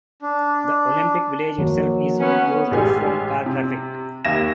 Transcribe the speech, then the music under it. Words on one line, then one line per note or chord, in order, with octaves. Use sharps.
The Olympic Village itself is closed off from car traffic.
D4
D#3 F3 F#3 A#3
B3 C#4
A1 G#3 G4 G#5
C3
D#2 E5 F5 G#6 A#6 E7